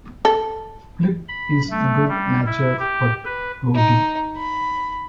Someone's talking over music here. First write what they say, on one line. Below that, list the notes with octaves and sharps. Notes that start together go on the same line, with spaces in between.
Philip is good-natured but plodding.
A4
B5
A3
G3
E4
G4
B4
D#4
B5